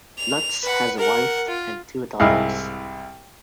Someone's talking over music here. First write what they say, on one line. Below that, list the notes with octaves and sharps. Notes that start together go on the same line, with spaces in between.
Lutz has a wife and two daughters.
F7
B4 F#5
A#4 F#5
F4
C2 G#2 E4 D#5 F5